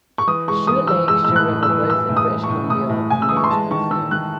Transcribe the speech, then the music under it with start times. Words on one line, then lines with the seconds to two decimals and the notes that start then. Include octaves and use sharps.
Stuart Lake and Stuart River, both in British Columbia are named after him.
0.18 C#6
0.27 E3 D#6
0.48 G#3 C#6
0.67 E3 D#6
0.87 E3 E6
1.08 G#3 E6
1.24 A2 E6
1.36 F#6
1.48 A2
1.63 E6
1.69 E3
1.89 E3 E6
2.09 A2
2.17 D#6
2.29 E3
2.44 C#6
2.49 A2
2.70 A2 D#6
2.90 A2
3.10 A2 G#5
3.22 E6
3.29 E3 D#6
3.37 C#6
3.44 C6
3.51 G#3 A5
3.71 D#3 C#6
3.91 D#3 E6
4.11 D#3 F#6